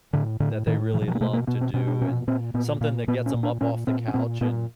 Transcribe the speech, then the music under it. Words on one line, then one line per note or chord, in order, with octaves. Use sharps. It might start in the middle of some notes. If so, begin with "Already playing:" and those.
that they really love to do and something that gets them up off the couch and
A2 D3
A2 D3
A2 D#3
B2 E3
F#3
F3
A#3
B2 A3
A#3
B2 B3
C4
B2 C#4
D4
A#2 C#4
A#2 C4
A#2 B3
A#2 A#3
A#2 B3
C#4
A#2
D4
A#2 C#4
A#2 C4
C#4
A#2 C4
A#2 B3